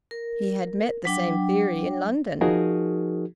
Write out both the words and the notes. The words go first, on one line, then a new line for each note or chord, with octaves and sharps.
He had met the same theory in London.
A#4
F#3 D4 G5
F3 D#4 F#4 G#4 A#4